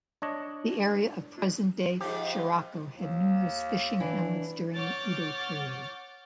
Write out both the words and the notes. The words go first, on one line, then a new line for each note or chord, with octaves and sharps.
The area of present-day Shirako had numerous fishing hamlets during the Edo period.
D4 C#5 D#5
G#2 F3 G4
D#2
E3 D4
C#5 F#5 D6 F6 G6 A6